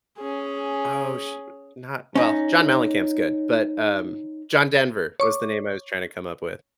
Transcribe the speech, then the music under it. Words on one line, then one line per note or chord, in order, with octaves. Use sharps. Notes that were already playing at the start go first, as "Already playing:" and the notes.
oh, shoot, not well, John Mellencamp's good, but, um, John Denver was the name I was trying to come up with.
C#4 G#4
C#4 D#4
C#5 C#6 D6